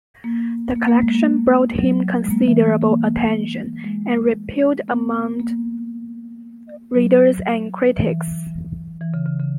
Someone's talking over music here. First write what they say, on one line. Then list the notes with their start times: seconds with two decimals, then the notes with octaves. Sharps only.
The collection brought him considerable attention and repute amount readers and critics.
0.24 A#3
0.75 A#3
0.88 A#3
1.02 G#3
1.15 A#3
1.78 F#3
2.24 G#3
2.30 A#3
2.48 E3
2.82 A#3
3.84 G#3
4.88 B3
5.40 A#3
6.95 F#3
7.98 E3
9.01 E3
9.14 C#3
9.26 C#3
9.40 C#3